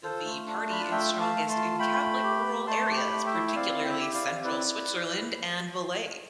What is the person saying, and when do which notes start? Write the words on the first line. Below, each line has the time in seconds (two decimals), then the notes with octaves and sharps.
The party is strongest in Catholic rural areas, particularly Central Switzerland and Valais.
0.03 F4 A4 C5
0.25 A3
0.47 D4
0.70 F4 B5
0.81 A5
0.91 A3 E5 G5
1.14 A3
1.20 F5 A5
1.36 A3
1.49 A5 C6
1.57 F4
1.79 A3 G5 B5
2.01 A3
2.24 G4
2.46 A3
2.67 A3 A5 C6
2.86 G4 C6
2.97 G5 B5
3.12 A3
3.26 E5 G5
3.33 E4
3.48 E5
3.56 C4 D5 F5
3.78 E4
3.84 E5 G5
4.00 G4
4.14 D5 F5
4.21 C4
4.44 E4 B4 D5
4.66 E4
4.88 E4